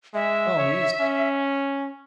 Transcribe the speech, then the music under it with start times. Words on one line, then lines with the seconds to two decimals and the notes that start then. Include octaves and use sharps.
Oh, he's
0.14 G#3 E5
0.57 C#5
1.00 C#4